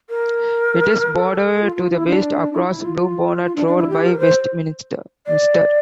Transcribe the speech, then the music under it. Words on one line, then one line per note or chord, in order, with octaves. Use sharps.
It is bordered to the west, across Bluebonnet Road, by Westminster.
A#4
A4
F4
F4
E4
D4
E4
E4
F4
F4
F4
D4
D4
E4
G4
A#4
C5
D5